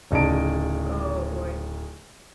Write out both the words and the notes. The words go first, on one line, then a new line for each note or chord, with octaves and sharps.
Oh, boy.
D1 C#3 D#4 D5 A5 D7